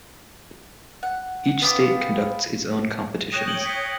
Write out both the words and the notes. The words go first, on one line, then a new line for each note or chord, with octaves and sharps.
Each State conducts its own competitions.
F#5
B3 F4 G5 D6
C#5 G5 D#6 F#6 A#6
G6 F#7 G7
B6 C#7 G7